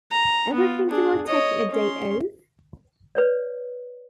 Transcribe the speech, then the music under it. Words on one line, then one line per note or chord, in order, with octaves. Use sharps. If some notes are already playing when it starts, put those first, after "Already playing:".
Ever think about taking a day off?
A#5
B3 F4
D4 G#4
C#5 D#5
C#4 C6
B4 C#5 D5